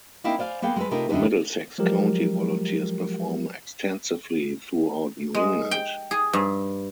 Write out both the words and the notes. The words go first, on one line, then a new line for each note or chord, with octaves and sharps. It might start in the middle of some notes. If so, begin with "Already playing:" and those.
The Middlesex County Volunteers perform extensively throughout New England.
A#3 C4 D#4 E4 F5 G5
C5 D5 F5 G#5
A#3 B3 G#4 F5 G5
G#3 A4 B4
C3 A3 D#4 F4 A#4
E2 G2 D3 D#4 E4
F3 F#3 G#3 G4 A#4
G#3
G5
G#4
G2